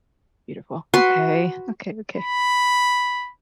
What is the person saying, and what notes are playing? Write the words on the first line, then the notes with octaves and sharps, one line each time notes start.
Beautiful. Okay. Okay, okay.
F#4 B4 C6
B5